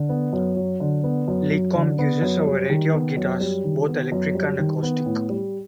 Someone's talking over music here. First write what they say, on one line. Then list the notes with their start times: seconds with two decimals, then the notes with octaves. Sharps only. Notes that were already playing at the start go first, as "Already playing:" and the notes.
LeCompt uses a variety of guitars, both electric and acoustic.
Already playing: D3
0.09 B3
0.33 F#2
0.56 F#3
0.80 D3
1.03 B3
1.28 F#2
1.51 F#3
1.75 D3
1.98 B3
2.22 F#2
2.46 G3
2.70 D#3
2.93 B3
3.17 F#2
3.40 G3
3.64 D#3
3.88 B3
4.12 F#2
4.35 G3
4.59 D#3
4.82 B3
5.06 A2
5.30 G3